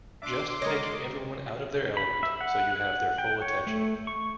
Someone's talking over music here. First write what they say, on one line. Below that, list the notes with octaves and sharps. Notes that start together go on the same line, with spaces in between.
Just taking everyone out of their element so you have their full attention.
D4 D5 E5 C6 D6
C#3 G#3 A#4 C#5 D#5
B5
E5
F#5
F#5
G5
C#5
A3
C#6